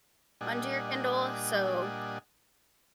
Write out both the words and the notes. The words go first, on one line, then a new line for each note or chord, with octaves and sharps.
under your Kindle, so,
A#2 G3 D4 D#5 F#5 G#5